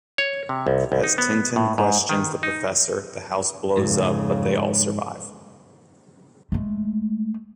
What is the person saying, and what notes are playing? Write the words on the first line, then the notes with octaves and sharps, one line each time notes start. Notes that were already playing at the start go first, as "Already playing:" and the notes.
As Tintin questions the professor, the house blows up, but they all survive.
C#5
C3
C2
C2
D#4
B3
A2
G#2
D#3
D#4
F2 G#2 C#3
G#3 A3